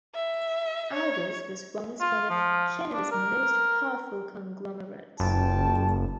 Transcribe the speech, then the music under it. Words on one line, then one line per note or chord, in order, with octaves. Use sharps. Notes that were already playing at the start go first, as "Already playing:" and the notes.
Argus was once one of Canada's most powerful conglomerates.
E5
C#5
F4
F3
D4
A#4
F#1 F4 G5 A5